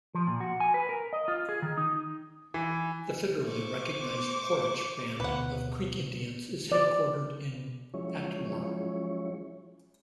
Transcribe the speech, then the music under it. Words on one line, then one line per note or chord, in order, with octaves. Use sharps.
The federally recognized Poarch Band of Creek Indians is headquartered in Atmore.
F3
A#2
F#4
G#5
B4
A#4
D#5
F4
G#4
D#3
D#4
E3
A3 C5 C#6 D6
D2 B2 B4 F#5
D5
F3 F#3 G#3 C#4 E4 C#5